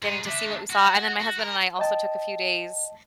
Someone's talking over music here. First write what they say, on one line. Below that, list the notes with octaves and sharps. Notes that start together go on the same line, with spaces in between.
getting to see what we saw, and then my husband and I also took a few days
G#2 G#4
D4 E5
F#4
F#4
A#4
D#5 G5 A5